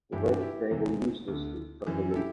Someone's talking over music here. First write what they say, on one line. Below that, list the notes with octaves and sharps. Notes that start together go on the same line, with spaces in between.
The ropes dangle uselessly from my waist.
G2 E3 E4 G4
D4 F#4
E4 G4
E2 C3 E3
D2 D3
F#2 E3
A4
E4 G4